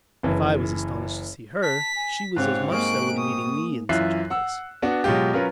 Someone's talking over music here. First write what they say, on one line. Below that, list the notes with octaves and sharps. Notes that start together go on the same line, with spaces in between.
If I was astonished to see her, she was as much so in meeting me in such a place.
F#1 E3
A5 B6
G#5
G#2 C4 G4 C#5 F5 F#6
G#3 A#3 C#6 F#6 D7
C#6 D#6
F#2 E3 F4 E5 F#6 C7
F#5 E6
B3 D4 F#4
B2 F#3 G#3 F4 G4
F#3 C#4 F4 A#4 B4